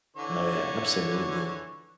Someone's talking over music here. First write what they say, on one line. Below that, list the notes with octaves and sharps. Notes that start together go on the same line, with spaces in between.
No, yeah, absolutely.
D3 E3 C#5